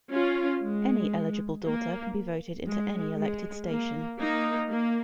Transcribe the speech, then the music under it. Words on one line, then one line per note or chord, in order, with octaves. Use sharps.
Any eligible daughter can be voted into any elected station.
C#4 F4
G#3
A#3
G#3
G#3
A#3
A#3 D#4
A#3